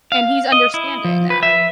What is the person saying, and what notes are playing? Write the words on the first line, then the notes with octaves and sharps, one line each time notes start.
And he's understanding that.
F5
D#5
E4
F3
B4
E5